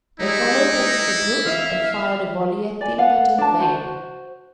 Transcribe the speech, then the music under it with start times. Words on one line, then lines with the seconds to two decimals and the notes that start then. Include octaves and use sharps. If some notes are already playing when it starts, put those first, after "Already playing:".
They followed them to the brook, and fired a volley at them, but in vain.
0.20 G#3 D#4 E4 G4
1.45 E5 F5
2.81 D5 G#5
2.98 B4 F5 F#5
3.38 D4 A5
3.60 F#4 C5